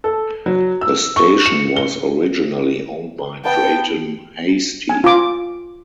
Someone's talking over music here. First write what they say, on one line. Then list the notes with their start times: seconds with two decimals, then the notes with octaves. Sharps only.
The station was originally owned by Drayton Hastie.
0.04 A4
0.46 F#3
0.81 E6
1.16 C#6
1.46 C#7
1.76 G7
3.45 B3 G5 A5
4.89 G#5
5.04 F4 D6